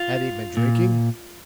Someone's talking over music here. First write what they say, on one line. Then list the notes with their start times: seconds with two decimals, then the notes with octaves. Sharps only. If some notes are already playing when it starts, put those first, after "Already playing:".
"Had he been drinking?"
Already playing: F4
0.57 A#2